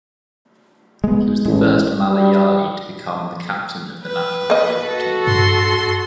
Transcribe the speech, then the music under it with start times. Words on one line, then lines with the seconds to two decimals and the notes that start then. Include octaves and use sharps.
He was the first Malayali to become the captain of the national volleyball team.
1.04 G#3 B3
1.46 A1 G#3
2.09 G3
4.03 B4
4.50 A#3 D#5
4.84 F#4 A4
5.27 G2 C6